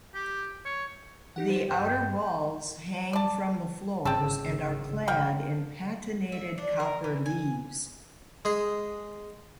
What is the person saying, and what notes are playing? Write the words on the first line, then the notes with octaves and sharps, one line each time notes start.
The outer walls hang from the floors and are clad in patinated copper leaves.
G4
C#5
D#4 G4 F#5
F4 G4 C5
G2 G5
G5
D5 A5
G#1 C#3 G5 A5 E6
F#4 A#4 G5
E5
D4
A#4
E3
G#5
G#3 G#4